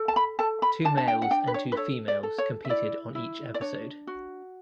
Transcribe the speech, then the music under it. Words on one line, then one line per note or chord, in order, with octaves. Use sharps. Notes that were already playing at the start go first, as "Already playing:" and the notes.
Two males and two females competed on each episode.
Already playing: A4
A5
B5
A4 A5
B5
D4 A5
A5
G5
F#5
D4 G5
B4
C#5
B4
A4 C#5
D5
A4
C#5
E5
E4 D5
E4
D5
D4 C#5
F#4